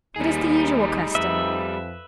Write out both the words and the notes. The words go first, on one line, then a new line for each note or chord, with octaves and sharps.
'It is the usual custom.'
D#2 G3 D#4 G#4
F2 B4 E5